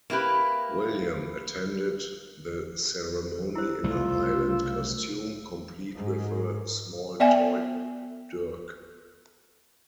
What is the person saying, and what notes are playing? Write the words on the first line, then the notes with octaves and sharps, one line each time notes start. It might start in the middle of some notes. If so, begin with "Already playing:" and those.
William attended the ceremony in a Highland costume, complete with a small toy dirk.
A#3 E4 G4 B4
E4 C5 E6
C2 C#3 A3 F4
G#2
B3 D5 E5 G5 G#5